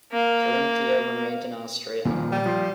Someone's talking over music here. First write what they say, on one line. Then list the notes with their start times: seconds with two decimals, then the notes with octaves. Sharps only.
Carinthia remained in Austria.
0.12 A#3
2.05 A#2 D#3 F3
2.32 G3
2.46 F3